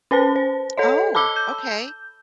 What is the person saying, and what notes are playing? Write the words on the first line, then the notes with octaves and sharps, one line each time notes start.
Oh, okay.
C#4 B4 C5 A5
C5
A4 C#5 D#5
A5 B5 D6 E6 G7
G6